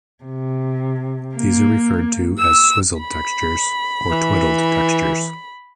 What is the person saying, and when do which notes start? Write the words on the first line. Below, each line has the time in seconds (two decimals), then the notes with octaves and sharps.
These are referred to as "swizzled textures" or "twidled textures".
0.24 C3
1.35 A#3
2.39 E6
3.00 B5
4.11 E3